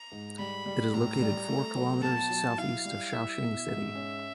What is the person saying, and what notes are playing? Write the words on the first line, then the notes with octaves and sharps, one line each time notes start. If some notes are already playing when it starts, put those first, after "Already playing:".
It is located four kilometers southeast of Shaoxing city.
Already playing: A#5
G#2
G3 B5
G3
A2 A#5
G3
A3
F#3
B2 A5
F#3
E4 F5
G3
E4 E5
B2
G#2
C#4